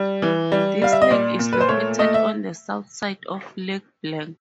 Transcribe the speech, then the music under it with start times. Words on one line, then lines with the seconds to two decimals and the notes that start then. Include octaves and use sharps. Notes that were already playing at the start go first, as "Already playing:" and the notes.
This lake is located on the south side of Lac Blanc.
Already playing: G3
0.22 E3
0.52 G3
0.82 G3 F5
0.92 E5
1.02 D#5
1.11 A#2 D5
1.39 A#2
1.53 B4
1.61 C5
1.69 A3 C#5
1.99 A3 D#5
2.14 E5